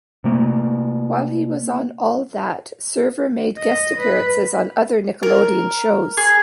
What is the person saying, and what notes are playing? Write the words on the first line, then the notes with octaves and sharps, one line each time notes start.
While he was on "All That", Server made guest appearances on other Nickelodeon shows.
C3 A3 A#3
D#5
B4
A#4
G#4